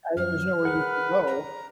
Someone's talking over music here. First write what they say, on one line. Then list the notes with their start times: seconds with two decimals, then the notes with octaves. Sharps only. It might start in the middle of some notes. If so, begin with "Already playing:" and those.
I there's nowhere you can go.
0.16 F#2 F#3 F6
0.63 G#4 A#4 B4 F#5
1.27 A#5